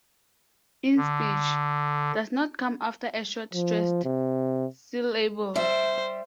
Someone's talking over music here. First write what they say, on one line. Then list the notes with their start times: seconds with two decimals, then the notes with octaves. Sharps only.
In speech, does not come after a short stressed syllable.
0.97 D3
3.53 F3
4.04 C3
5.56 G3 C5 E5